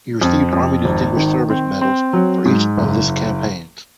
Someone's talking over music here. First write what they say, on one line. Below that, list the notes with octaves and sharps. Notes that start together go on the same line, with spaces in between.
He received Army Distinguished Service Medals for each of this campaigns.
F2
F2
G#1
D#3
C4
C4
F#3
G#2
F#1